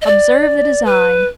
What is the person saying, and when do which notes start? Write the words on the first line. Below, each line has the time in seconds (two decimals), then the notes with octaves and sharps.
Observe the design!
0.02 D#5
0.06 D5
0.85 B4